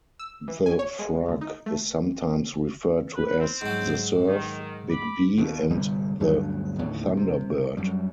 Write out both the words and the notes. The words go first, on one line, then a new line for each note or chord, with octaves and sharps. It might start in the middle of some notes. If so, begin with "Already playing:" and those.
The Frug is sometimes referred to as the Surf, Big Bea, and the Thunderbird.
E6
E3
G#5
C#5
G#3
D2
D#4
A3
B4
C4
G#2 F#3
D#3
B5 D6
D#2 B2
G1 C3 G3
D2 G2 C#3 F#3
D#2 A2 D3
C3
F#2 G3